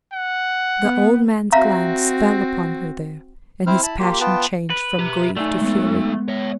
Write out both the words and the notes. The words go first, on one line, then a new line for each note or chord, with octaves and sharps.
The old man's glance fell upon her there, and his passion changed from grief to fury.
F#5
B3
C4 F#4 E5 F5 A#5
C4 E4 C5 F6
E4 A5 B5
A#3 F4 G4
B3 F4 B4 G5 A5
B4
G4 E5
F#3 A3 D#4 D5 G5 G#5
G#3 B3
C#5 E5